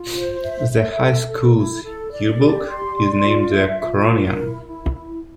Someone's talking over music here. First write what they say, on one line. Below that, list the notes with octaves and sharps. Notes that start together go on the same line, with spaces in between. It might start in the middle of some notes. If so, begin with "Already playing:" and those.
The high school's yearbook is named the "Coronian".
Already playing: F4
C5
E5
E5
A4
A4
E4
A4
D5
G4
C6
D5
F4
E5
F4
A#4
E4
E4
E4